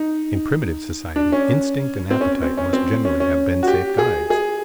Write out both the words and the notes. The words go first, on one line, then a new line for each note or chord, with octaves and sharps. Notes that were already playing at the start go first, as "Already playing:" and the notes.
In primitive society instinct and appetite must generally have been safe guides.
Already playing: D#4
D4
C#4
C4
C#4
C4
C#4
C4
C#4
C#4
F#4
G4
G#4
G#4